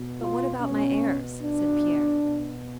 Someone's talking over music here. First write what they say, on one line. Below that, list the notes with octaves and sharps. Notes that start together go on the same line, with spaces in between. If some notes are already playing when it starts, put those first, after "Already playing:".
"But what about my heirs?" said Pierre.
Already playing: B2
F4
C#4
D4
B2